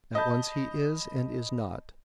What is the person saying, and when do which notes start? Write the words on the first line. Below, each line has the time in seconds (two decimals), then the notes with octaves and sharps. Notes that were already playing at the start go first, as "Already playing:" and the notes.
At once he is and is not.
0.15 D#5 A5 B5 G6